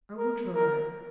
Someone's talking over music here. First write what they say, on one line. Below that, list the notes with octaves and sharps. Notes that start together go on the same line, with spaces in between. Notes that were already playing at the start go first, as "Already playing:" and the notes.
"I will try."
A#4
A#4